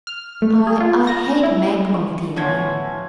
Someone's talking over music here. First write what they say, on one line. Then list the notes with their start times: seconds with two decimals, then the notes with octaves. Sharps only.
I--I hate Mag of the Alley.
0.07 F6
0.42 A3
0.67 G#4
0.80 F4
1.07 A#6
1.43 E4
2.36 A2 E3 B3 C#4 F4 F#4 A5 G#6